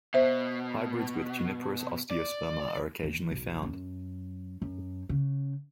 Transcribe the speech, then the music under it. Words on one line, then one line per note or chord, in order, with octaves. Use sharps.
Hybrids with "Juniperus osteosperma" are occasionally found.
B2 C5 E5
D5
E2
B1
F#2
F#2
C#3